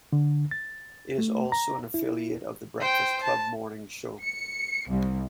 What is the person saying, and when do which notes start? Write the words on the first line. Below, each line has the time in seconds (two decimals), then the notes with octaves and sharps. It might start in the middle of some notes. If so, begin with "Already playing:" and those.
It is also an affiliate of The Breakfast Club morning show.
0.13 D3
0.51 A6
1.18 A3
1.52 A#5
1.94 E4
2.80 C5 G5
3.23 A5
4.22 C#7
4.88 C2